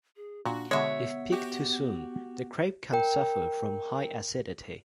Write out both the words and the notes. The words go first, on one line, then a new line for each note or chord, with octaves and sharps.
If picked too soon, the grape can suffer from high acidity.
G#4
A#2 D4 F#4
B2 D3 G#3 B3 C#5 E5
F#4 G4
A#4 G5